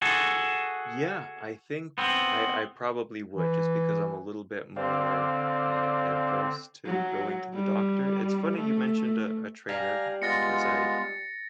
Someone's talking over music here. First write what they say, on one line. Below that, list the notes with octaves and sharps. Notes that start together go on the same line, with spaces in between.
Yeah, I think I I probably would just because I'm a little bit more a adverse to going to the doctor. It's funny you mentioned a a trainer because I,
F#4 G#4 A4
B3 C4
E3
D3 C4 C5 D5 F5
F#3
G3
A3
G3 D4 F5 G#5 A#5
G#3 B3 F4 A6 A#6 C#7